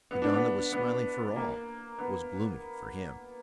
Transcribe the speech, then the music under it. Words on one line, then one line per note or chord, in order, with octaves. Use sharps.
The dawn that was smiling for all was gloomy for him.
B3
D4
B3
B3
A#3
B3